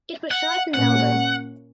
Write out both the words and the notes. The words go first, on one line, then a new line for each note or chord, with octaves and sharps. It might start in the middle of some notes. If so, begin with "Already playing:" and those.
It was shot in Melbourne.
F#5
A#2 A#3 C#4 F#5